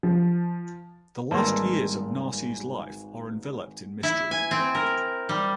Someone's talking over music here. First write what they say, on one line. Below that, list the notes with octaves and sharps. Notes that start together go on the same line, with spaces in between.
The last years of Narses' life are enveloped in mystery.
F3
G#1 G3 G#3 A#3 B4 A5 C6 E6
E4
G#5
C4
A#4
G3